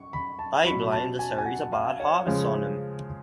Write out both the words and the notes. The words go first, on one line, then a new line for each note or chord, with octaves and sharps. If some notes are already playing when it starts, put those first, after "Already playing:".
They blamed a series of bad harvests on him.
Already playing: C#6
B5
A5
B2 F#3 B5
A5
G#5
G#5
F#5
F5
C#5
C#3 F3 G#3